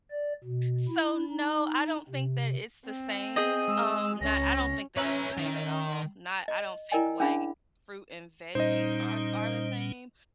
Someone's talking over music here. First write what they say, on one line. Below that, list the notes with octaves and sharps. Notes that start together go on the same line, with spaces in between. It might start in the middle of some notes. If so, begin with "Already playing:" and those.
So, no, I don't think that it's the same, um, not I don't think that it's the same at all. Not I don't think, like, fruit and veggies are are the same,
D5
B2
E4
D#4
C3
C4
G#4 D#5 G6
G#3 E6
C#2 C#4 A#6
C#4 B4 C#5 E5 A#5
D#3
D#5
E4 A#4 D5 D#5 G5 G#5
C#4 D4 G#4 F5 B5
A#2 G3 C#4 D#4 C5 D#5